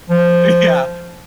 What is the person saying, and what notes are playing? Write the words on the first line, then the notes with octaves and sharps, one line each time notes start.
Uh, yeah,
F3